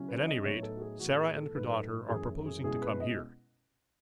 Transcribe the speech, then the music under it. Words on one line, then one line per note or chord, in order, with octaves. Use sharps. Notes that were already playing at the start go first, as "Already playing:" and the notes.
"At any rate, Sarah and her daughter are proposing to come here."
Already playing: C#3 F#3 C#4 E4
B4
D#5
A2 F#3 B3 D#4 C#5
A4
F#4
G#4
A2 E3 B3 F#4
G#4
A4
G#2 F#3 A3 D#4 B4
A4
F#2 E3 A3 E4 G#4
G#4
B2 G#3 C#4 E4 G#4
B4
D#5